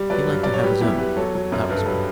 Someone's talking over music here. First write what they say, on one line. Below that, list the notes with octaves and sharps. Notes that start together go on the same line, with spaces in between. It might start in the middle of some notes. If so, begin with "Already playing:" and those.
He liked to have his own,--that was all.
Already playing: G3
F#3 B4 D5
G2
F#3 D5
C#5
G3 G4 B4
E2 E4 G4
E2 G4 B4
F#3 A4 C#5
F#3
F#2
G2 B4
A4
F#3 G4 B4